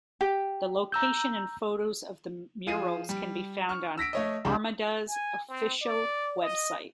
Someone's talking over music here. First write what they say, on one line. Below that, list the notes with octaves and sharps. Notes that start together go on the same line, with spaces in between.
The location and photos of murals can be found on Armada's official website.
G4
A#5 E6 G6
F3 F4 G#4 C7 D#7
G3
C#6 F6
E6 A#6 B6 D7
A3 C#5 D#5
C#2 C3 G3 D4 G#4 G6
G#5
C4
D5
D#5